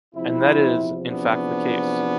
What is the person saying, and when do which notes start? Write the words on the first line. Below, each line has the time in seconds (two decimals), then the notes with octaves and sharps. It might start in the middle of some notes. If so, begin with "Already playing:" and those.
And that is, in fact the case.
0.14 E2 C3 F3 C4 E4
1.08 B3 D4